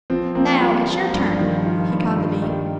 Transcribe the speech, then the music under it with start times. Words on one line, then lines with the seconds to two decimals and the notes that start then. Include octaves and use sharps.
"Now, it's your turn," he called to me.
0.10 F3 C4
0.35 A#3 C4
0.61 G3 F4
0.87 F3
1.07 A#3
1.13 G2 G3
1.34 G3
1.39 D#3 F3
1.65 F3 F4
1.90 G2
2.16 G2 D#3
2.42 D#3 G3